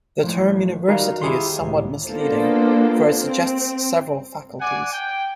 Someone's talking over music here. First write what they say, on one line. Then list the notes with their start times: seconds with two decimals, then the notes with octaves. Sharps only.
The term university is somewhat misleading, for it suggests several faculties.
0.23 A2 F3
0.88 D#3 G3 D#4 F#4 F5
1.22 D#3 E4 G4 G#4 C6
1.60 C#2 A2
2.07 A#3 B3 D4 F4 A4 C5
3.19 C4
4.60 D5 F#5 G#5
4.93 G5